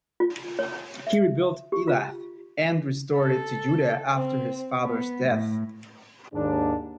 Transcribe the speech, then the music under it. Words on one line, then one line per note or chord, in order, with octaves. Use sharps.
He rebuilt Elath, and restored it to Judah, after his father's death.
F4
C#5
E5
G4
F4
A4
C4
B3
A2
D#2 G#2 D4